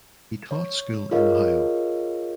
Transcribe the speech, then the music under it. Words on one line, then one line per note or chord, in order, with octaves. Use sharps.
He taught school in Ohio.
C#5
F4 G#4 A#4 C#5 D#5 F5